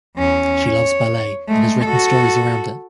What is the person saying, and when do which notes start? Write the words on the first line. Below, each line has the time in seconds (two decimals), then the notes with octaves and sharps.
She loves ballet, and has written stories around it.
0.17 E2 C#4
0.65 C#5
1.48 G#3 A3
1.85 F#4 A4